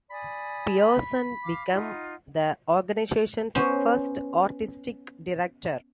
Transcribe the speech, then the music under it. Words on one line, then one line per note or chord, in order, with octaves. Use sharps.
Pearson became the organisation's first artistic director.
D5 G#5 B5 D#6
F5 D6
D#4 F4 F#5
B3 C#4 C5